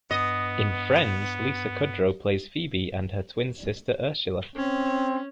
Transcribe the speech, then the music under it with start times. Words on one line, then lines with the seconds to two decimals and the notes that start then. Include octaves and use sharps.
In "Friends", Lisa Kudrow plays Phoebe and her twin sister Ursula.
0.11 G2 B3 D#5
4.56 C4 C#4